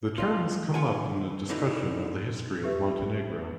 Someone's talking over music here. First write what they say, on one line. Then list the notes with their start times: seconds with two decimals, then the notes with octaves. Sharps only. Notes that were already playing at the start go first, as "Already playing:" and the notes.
The term has come up in the discussion of the history of Montenegro.
0.18 F4 D#5
0.74 F4 F#5 G#5
1.49 A2 D3 E3 D#4 F#4
2.64 G4 B4 E5